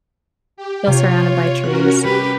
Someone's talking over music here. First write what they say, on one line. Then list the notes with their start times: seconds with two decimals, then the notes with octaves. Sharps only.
Still surrounded by trees.
0.57 G4
0.87 C3 F4 C#5
1.64 C#4 F#4 A#4 F#6
2.04 G3 G4 B4